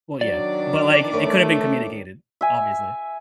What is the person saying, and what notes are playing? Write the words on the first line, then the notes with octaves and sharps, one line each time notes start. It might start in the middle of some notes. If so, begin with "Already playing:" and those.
Well, yeah, but, like, it coulda been communicated obviously.
D#3 F#3 D4 D5 D6
A3 A#4 B4 C#5
E5 G#5